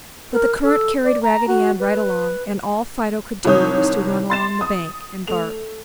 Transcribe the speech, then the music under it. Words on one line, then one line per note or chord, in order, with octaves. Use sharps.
But the current carried Raggedy Ann right along and all Fido could do was to run along the bank and bark.
A#4
A4
D5
A#5
F#4
B4
C2 C3 D#3 C#5 D#6 G6
C6 A6 E7
D#6
A3 F7